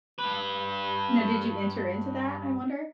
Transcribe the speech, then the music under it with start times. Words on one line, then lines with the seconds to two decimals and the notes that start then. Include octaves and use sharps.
Now did you enter into that, I wonder?
0.19 G2 B4